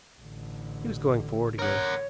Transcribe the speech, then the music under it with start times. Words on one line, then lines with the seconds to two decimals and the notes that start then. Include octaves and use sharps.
He was going forward again.
0.21 A1 D3
1.59 A#4 C#5 F#5